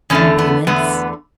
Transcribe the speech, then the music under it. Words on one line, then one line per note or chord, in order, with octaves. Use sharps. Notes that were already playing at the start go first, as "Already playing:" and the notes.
"In payments."
E2 D3 A3 C#4
B3
E2 D3 A3 B3